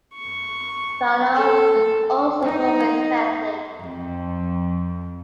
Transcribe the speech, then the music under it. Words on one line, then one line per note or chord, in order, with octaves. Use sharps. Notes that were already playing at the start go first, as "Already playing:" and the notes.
Vallone is also a Roman Catholic.
C#6
A4
D#4
F2